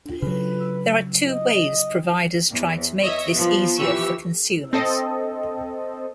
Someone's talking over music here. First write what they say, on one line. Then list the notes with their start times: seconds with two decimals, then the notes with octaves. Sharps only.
There are two ways providers try to make this easier for consumers.
0.22 C#3 F#3 B4
1.29 D#5
2.51 E2
3.01 C#5 D#5 E5
3.33 F3 B3
3.79 E3 F3 G4 C#6 E6
4.73 C4 A4 D#5